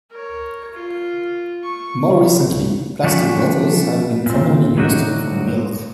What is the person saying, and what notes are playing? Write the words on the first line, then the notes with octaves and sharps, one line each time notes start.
More recently, plastic bottles have been commonly used for milk.
A#4 C#5
F4
C#6
F3 A3 C#4 D4 F#4 G4
A#2 C4
A2 D3 F#3 D#4 F#4